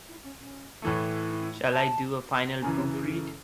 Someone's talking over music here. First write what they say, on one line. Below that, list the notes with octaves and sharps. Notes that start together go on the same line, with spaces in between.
Shall I do a final proof read?
E4
C#4
C#4
A2 E3 A3
D#4
C#4
E4
C5
A5
F#2 C#3 E3 G#5
C#5
G#4
A4